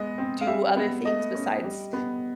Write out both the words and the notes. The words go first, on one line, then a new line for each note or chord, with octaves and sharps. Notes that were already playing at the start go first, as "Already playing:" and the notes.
do other things besides
Already playing: G#3 B3 D#5
C4
F5
G3 E5
B3
A3 D#5
C#4
G3
B3